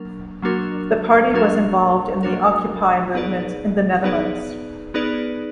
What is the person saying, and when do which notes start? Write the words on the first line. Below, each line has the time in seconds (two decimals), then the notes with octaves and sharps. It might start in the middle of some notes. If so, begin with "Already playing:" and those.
The party was involved in the Occupy movement in the Netherlands.
Already playing: F#3 A#3 D4 A#4
0.42 F#3 A#3 D4 F#4 A#4
1.33 F#3 A#3 D4 F#4 A#4
2.23 F#3 A#3 D4 F#4 A#4
3.13 B3 D#4 G#4 B4 D5
4.04 B3 D#4 G#4 B4 D5
4.94 B3 D#4 G#4 B4 D5